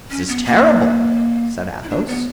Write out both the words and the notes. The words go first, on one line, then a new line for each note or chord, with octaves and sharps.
"This is terrible," said Athos.
C#4
B3
A#3
E4
D4
B3